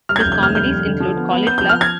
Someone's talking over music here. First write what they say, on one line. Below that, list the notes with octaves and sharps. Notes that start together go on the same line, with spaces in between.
His comedies include Call It Love?
G3 F6
G#6
G6
F1
G6
D#2 F6
G3 G6
F1
D3
F3
B3
B3
B3 G6
F3 G6
F6
G#6